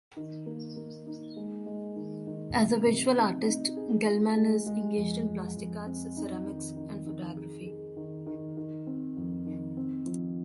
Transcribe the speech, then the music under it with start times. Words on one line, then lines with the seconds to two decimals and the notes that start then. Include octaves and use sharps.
As a visual artist Geldman is engaged in plastic arts, ceramics and photography.
0.17 D#3
0.46 A#3
0.76 A#3
1.06 D#4
1.36 G#3
1.66 G#3
1.96 D#3
2.27 D#3
2.56 C3
2.86 C3
3.17 D#4
3.46 D#4
3.77 G#4
4.07 F4
4.36 G#3
4.66 G#3
4.96 F2
5.26 F2
5.57 F2
5.86 C4
6.17 D#4
6.46 D#3
6.77 D#3
7.07 D#3
7.37 G#4
7.66 G#4
7.97 D#3
8.26 D#3
8.57 D#3
8.87 C4
9.17 F2
9.46 D#3
9.77 C4
10.06 F3